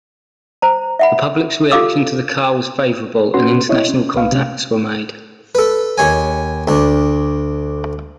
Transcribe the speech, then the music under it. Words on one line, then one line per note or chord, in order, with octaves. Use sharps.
The public's reaction to the car was favorable and international contacts were made.
C5 A#5
E5 F#5 B5
F4 G4 A4 F5 D6 E6
C#4 F#4 B4 C6
E4 C#5 D#5
C#4
C2 B4 F5
C3 C#4
A4 B4
D#2 C#5 G#5
D2 D4